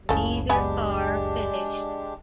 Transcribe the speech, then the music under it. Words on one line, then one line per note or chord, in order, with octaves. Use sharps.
Neither car finished.
F#1 C#2 C#3 B3 E4 A4 C#5
G#3 B3 D4 G4 B4 G#5